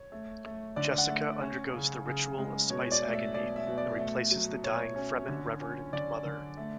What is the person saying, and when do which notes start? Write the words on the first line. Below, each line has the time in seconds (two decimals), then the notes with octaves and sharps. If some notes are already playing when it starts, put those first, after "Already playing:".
Jessica undergoes the ritual of spice agony and replaces the dying Fremen Reverend Mother.
Already playing: C#5
0.12 A3
0.45 A3
0.76 D3 D5
0.98 F#5
1.09 A3
1.41 C#4
1.73 C#3
2.06 C#3
2.38 G#3
2.70 B2 C#5
2.92 D5
3.02 A3
3.13 E5
3.34 B2 D5
3.56 E5
3.67 B2
3.78 D5
3.99 A3
4.31 F#3
4.64 B2 C#5
4.96 C#4
5.28 D3
5.60 C#4
5.93 D3 D5
6.25 D3
6.57 A3